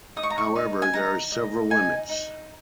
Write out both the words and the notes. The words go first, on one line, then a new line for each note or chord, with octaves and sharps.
However, there are several limits.
D#4 D#6
C#6
A#5
C#6
D#4
G#5
D#4 A#5
D#5
D#4 G#5
D#4